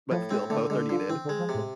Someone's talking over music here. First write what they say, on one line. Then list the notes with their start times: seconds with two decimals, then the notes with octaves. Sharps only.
But still, both are needed.
0.11 A2 F3
0.30 G#3 C4
0.50 D3 A3
0.70 D3 G#3
0.89 D3 F3
1.09 E3 C4
1.24 D3
1.29 G#3
1.39 F3
1.49 C3
1.54 A2